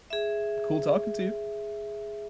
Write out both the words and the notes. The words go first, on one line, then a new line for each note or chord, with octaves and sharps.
cool talking to you.
G#4 E5